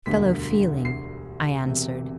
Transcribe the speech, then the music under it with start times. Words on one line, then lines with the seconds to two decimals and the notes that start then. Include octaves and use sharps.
'Fellow-feeling,' I answered.
0.06 E1 D2 D3 G3 D4 B6
0.85 C7
1.65 E1 E2 C3